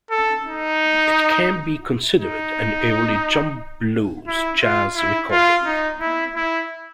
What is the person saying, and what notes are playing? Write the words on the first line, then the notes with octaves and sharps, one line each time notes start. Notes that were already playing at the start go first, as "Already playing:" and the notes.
It can be considered an early jump blues jazz recording.
A4
D#4
D#4
E4
F4
E4
F4
D#4
E4
E4